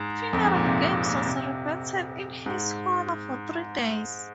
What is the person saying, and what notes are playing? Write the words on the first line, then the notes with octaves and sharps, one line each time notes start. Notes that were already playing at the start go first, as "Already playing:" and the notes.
Funeral games were celebrated in his honor for three days.
Already playing: G#2
F2
G#2
A#2
C3
C3
A#2
C3
G#2